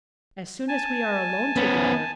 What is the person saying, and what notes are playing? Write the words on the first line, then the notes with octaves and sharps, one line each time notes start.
As soon as we are alone together.
G#5 A5
B3 C#4